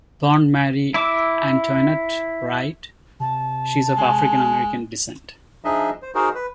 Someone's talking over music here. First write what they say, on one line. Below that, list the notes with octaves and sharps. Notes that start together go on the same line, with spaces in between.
Born Marie Antoinette Wright, she is of African American descent.
E4 D6 E6
C3 A5
G#3
F3 D4 D#4 G#4 D#5 E5
C5
D#4 F#4 G#4 A#4 C5
B4